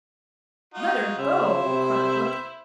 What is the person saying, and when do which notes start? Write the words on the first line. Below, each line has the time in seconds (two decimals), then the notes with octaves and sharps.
"Let her go!" cried Hook.
0.74 D#4 F4 F#4
1.18 C#3 E4 C5 E5
1.64 C3